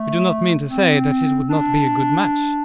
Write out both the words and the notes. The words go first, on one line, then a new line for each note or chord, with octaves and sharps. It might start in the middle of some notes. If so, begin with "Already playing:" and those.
"You do not mean to say that it would not be a good match?"
Already playing: A3
C4
D4